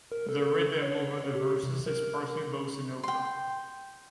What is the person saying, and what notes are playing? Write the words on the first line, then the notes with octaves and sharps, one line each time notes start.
The rhythm over the verses is partly bossa nova.
A#4
A4
C#5
G4
C3
A#4
G5 C6